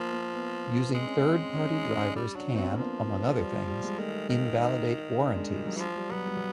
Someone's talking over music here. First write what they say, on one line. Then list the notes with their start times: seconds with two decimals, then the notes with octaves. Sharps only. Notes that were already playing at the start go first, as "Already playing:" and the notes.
Using third party drivers can, among other things, invalidate warranties.
Already playing: F3 A#3
0.12 A#3
0.33 B3
0.94 G#3 C4
1.07 C#4
1.21 C4
1.54 C#4
1.70 D#4
1.84 C#4
2.00 D4
2.16 G3
2.35 F#3 D4
2.50 B3
2.56 F#3 C4
2.72 A#3
2.76 F3 B3
3.37 G3
3.52 G3
3.67 G3
3.84 G#3
3.99 D#3 A3
4.29 D#3
4.59 D#4
5.13 D#4
5.20 D4
5.36 G#3
5.50 G3
5.66 F#3
5.76 E3
5.81 F3
5.96 G3
6.11 F#3 B3
6.26 G3
6.37 F#3